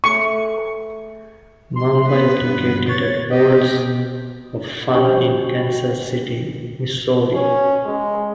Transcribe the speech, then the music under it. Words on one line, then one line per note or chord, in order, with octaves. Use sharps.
Mamba is located at Worlds of Fun in Kansas City, Missouri.
A3 G#4 C#6
C6
B3 B4
G2
C#5 A6
G4 D#5
B2
C#4 F#4 G4 C5 G5 C#6
C#4
G#3